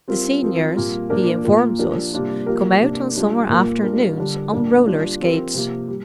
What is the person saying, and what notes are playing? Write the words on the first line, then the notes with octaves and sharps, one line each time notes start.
The seniors, he informs us, come out on summer afternoons on roller skates.
G3 C4 F4 A#4
F3 C4 A#4
A#2 G3 A#3 F4
A#2 F3 A#3 D4 A#4
A#2 A#3 F4 A#4
F3 D4 G4 A#4
C3 G3 A#3 D4 F4
F3 A#3 G4 A#4
C3 A#3 D4
G3 D4 F4
A#2 A#3 F4 A#4
G3 D4 F4 A#4
D3 G3 D4
A#2 A#3 D4 A#4
G3 D4 F4
F3 C4 G4 A#4
C3 F3 A#3
G3